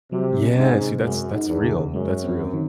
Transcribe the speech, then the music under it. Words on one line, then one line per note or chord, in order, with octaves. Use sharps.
Yeah, see, that's that's real, that's real.
C3 F#3
C#4
G#2
C3
F#2 G#3
D#4
E2
C#3
F#2 G#3
C4
D#3